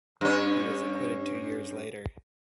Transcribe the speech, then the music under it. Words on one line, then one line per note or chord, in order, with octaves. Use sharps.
He was acquitted two years later.
G2 C#4